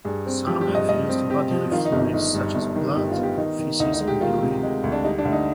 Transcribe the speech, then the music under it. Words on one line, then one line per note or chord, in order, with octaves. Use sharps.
Some have used bodily fluids such as blood, faeces and urine.
G2 G#4
C4
F3 G4
G4
G2
D#5
G2 D#5
C4
C4 G4
F3
D#3 F4
D#4
G1
D#4
G1 D#4
G2
G1
D#3
G1 G4
F4
B3
G4
D#3 D#4
D#3
D2 D#4
D#4
G#3
G4
D#3 F4
C3
G#3
D2
D4
G3 D#4
D4
D2
D#4